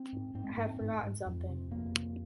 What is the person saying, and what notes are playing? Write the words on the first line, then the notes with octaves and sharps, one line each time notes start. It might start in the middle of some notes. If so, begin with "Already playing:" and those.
I have forgotten something.
Already playing: C4
G#2
G#2 C4
G#3
A#3
G#2
C4
G#2
G#2
F2
C3
F2 A#3
C3